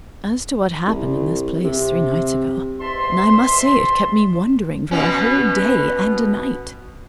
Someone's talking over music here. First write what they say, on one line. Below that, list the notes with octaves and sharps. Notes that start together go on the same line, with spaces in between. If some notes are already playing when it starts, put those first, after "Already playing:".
As to what happened in this place three nights ago, I must say it kept me wondering for a whole day and a night.
C2
C3
E2 G#2 E5 A5 C6
B2 B3 C#4